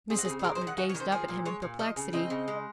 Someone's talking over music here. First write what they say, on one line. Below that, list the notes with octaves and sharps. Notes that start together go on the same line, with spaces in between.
Mrs. Butler gazed up at him in perplexity.
C4 G#4
F#4
G#4
C#3
G#4
G#3 A#4
C5
D#3
F#5
C#4 F#5
C#5
D#3
C5
F3 G#4
A#2
G#3 C#5
A#2
F3 D#5
C#3
C4 D#5
C#3
G#3